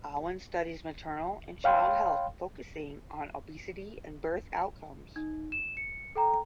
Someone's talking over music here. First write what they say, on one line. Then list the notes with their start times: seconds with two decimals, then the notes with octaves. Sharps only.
Alwan studies maternal and child health focusing on obesity and birth outcomes.
1.64 C#5 F5 G5 B5 C6
5.16 D#4
5.52 E7
5.77 C#7
6.16 A4 G5 A#5